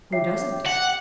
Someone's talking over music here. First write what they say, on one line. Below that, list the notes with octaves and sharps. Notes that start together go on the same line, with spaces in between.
Who doesn't?
G4 C#5 E5 C7
F#5